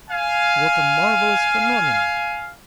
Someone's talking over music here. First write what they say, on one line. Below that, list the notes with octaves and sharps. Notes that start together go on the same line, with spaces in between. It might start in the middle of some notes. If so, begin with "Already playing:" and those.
What a marvellous phenomenon!
F5 G#5